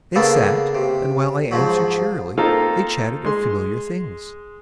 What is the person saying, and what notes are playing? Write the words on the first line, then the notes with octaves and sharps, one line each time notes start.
They sat, and while I answered cheerily, they chatted of familiar things.
C#3 A#3 B3 A4
C3
G#2 F3 F#3
A#3 C4 D#4 F4 A4
G#3 C6